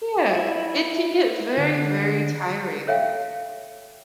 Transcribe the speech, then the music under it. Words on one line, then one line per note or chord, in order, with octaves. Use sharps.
Yeah, it can get very, very tiring.
E4
D3
A4 C#5 E5 F5 G5